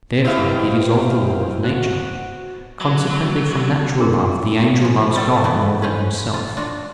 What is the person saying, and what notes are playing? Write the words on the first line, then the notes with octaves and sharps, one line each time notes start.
Therefore, it is of the law of nature. Consequently from natural love the angel loves God more than himself.
B2 E4 G4 C5 F5
F#4
F#3
D4 F4 G#4 A#4 C6
F3 G#3
F3 G3 A4
E3 A3 B3
C#4 B4 C5
F4
D4 F4 F#4